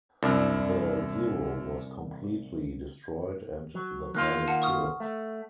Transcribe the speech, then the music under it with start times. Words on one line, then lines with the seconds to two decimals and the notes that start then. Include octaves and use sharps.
The Zero was completely destroyed and the pilot killed.
0.23 C2 F#2 D4 E4
3.75 F#3
4.15 D#3 A#3 F4 F#6
4.48 F#5 A5 D#7
4.62 C#6 D#6 F6
5.00 A3